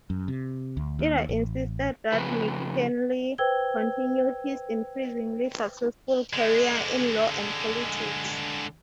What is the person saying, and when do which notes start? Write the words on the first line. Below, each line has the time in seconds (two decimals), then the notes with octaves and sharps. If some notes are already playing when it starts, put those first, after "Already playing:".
Ida insisted that McKinley continue his increasingly successful career in law and politics.
0.10 F#2
0.28 C3
0.77 D2
0.99 D#2
1.29 A1
2.12 F2 C#3 B4
3.38 B4 C5 G5 E6 G#6 G7
6.33 D3 G#3